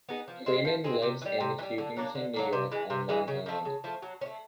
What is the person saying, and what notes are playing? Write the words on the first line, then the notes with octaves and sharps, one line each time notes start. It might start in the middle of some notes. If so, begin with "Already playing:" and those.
Freeman lives in Huntington, New York on Long Island.
B3 D#4 G#4
F3
G#3 C4
F3
G#3 C4
C3
E3
G3
C3
E3
G3
D3
F#3 A#3 D4
D3
F#3 A#3 D4
C3
E3 G#3
C3
E3 G#3
C#3
F3 A3
C#3
F3 A3
F#3
C#4
A3